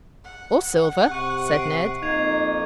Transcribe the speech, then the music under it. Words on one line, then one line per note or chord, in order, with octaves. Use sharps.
"Or silver," said Ned.
F#5
C3 C#6 F#6
C7 D7
F2 A#3 D#4 G#6 C7 F7